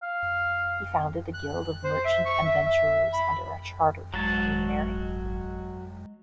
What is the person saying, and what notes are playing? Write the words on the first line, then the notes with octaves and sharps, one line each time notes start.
He founded a guild of Merchant Adventurers under a charter from Queen Mary.
F5
F#6
C5
E5
C#6
E5
E5
B5
G#1 F#3 G#3 F#4 A5 A#5